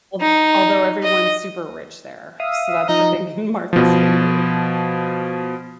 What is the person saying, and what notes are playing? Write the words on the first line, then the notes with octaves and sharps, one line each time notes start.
Al although everyone's super rich there. So that's the thing in Martha's Vineyard.
D#4
D#5
E5 F5 D#6
F3 D#4 D#5 A#5
B2 F3